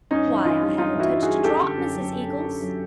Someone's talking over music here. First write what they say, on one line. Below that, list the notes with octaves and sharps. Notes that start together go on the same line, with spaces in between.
'Why, I haven't touched a drop, Mrs. Eagles!'
G2 C#4 D#4
E3
G2 D#4 F4
G3
G2 D#4 F4
E3 E4 F#4
G2
F#4 G#4
G3
F#2 G4 A4
D3
F#2
F#3
F#2
D3
F#2
F#3